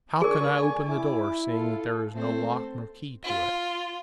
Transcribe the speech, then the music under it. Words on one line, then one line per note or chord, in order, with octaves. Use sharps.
"How can I open the door, seeing that there is no lock nor key to it?"
D3 A3 G#4 A#4 D5 G#5 C#6
E4 D6
F4 A4
A3 C4 A4 C5
F4